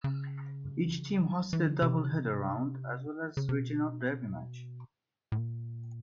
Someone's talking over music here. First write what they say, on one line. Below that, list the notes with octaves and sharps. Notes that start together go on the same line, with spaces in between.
Each team hosted a double header round as well as a regional derby match.
C#3
E3
D#3
D3
C#3
C3
C#3
C3
B2
A2
A#2